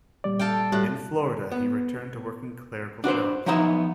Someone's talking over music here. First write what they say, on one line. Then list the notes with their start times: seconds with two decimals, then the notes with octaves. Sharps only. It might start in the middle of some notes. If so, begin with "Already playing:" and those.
In Florida he returned to working clerical jobs.
0.24 A#2 G3 D5
0.39 A4 F5 G5
0.72 A2 G3 F#4 F#6
1.52 B3
3.04 D4 F#4 B4 C5
3.46 F3 F#3 B3 D#4 E4 E5